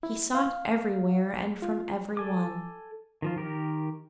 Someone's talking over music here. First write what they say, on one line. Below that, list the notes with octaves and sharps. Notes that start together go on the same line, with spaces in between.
He sought everywhere and from every one.
E4
F5
F4
A4 G#5 D6
D#3 F3 F4
D#3 G4 A#4